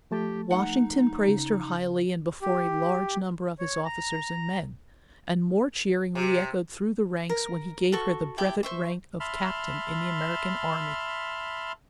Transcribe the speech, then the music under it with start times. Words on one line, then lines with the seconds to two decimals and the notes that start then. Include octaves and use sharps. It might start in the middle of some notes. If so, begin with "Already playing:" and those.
Washington praised her highly and before a large number of his officers and men, and more cheering reechoed through the ranks when he gave her the brevet rank of Captain in the American Army.
0.11 F3 A3 G4 A5
0.51 D#4 F#5
1.28 C#3
2.41 G4
3.59 C#5
3.85 A#5
6.15 C3
7.29 A#4
7.92 F#4 A4 C#6
8.38 E4 G4 G5 A5
8.63 C5 E5 C#6
9.20 E5 A5 B5 C6 F6